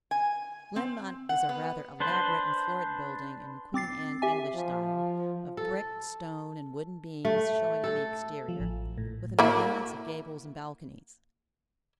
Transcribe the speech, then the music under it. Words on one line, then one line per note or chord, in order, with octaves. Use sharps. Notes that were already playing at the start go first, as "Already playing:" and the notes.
Glenmont is a rather elaborate and florid building in Queen Anne English style, of brick, stone, and wooden beams showing on the exterior, with an abundance of gables and balconies.
G#5
C4
F#5
B3
D4 B4 C5
C4 D6 A6 C7
G4 E5 G#5
F3
A4
A3
A4
F3
A1
A2
A#3 E4 F#4